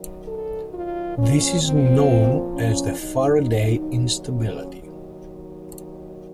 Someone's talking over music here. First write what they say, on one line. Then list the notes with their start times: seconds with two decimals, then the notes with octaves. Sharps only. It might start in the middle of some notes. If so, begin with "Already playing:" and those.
This is known as the Faraday instability.
Already playing: F#2 D#3 F#3
0.28 A4
0.73 F4
1.17 A#2 F3 C#4
1.63 C4
2.53 C#4
2.99 D#2 D#3 F#3 D#4
4.34 C#4
4.80 D#2 D#3 F#3